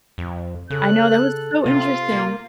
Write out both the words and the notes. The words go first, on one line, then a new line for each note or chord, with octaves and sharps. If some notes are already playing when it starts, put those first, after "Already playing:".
I know that was so interesting.
F2
C#3 A4 F#6
C3 F4
A#3